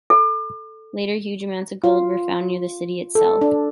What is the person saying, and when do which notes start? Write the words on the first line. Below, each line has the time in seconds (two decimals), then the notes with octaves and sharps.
Later huge amounts of gold were found near the city itself.
0.10 A4
1.84 F4
3.15 A4
3.41 D4